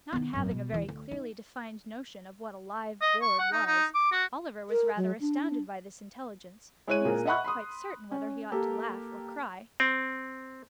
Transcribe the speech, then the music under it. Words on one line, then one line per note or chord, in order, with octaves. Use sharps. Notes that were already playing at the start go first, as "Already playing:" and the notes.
Not having a very clearly defined notion of what a live board was, Oliver was rather astounded by this intelligence, and was not quite certain whether he ought to laugh or cry.
D#3 B3
G#1 F#2
B2
D#2 E3
D2
D#4
D#5
C#6
F#5
D#4
D#4
D6
F#4
A#4
F#3
D4
G#3 E4 C#5 F#6 D#7
A#2 G#4 A#4
D#5 E5 F#5 B5 C#6 F#6
B5 C6 D#6
C#4
A#3 G4 A4
C4